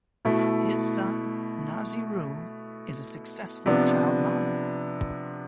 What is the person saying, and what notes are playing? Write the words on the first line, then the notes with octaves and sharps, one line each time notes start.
His son, Nahzi Rue, is a successful child model.
B2 A3 E4
C3 F3 B3 D4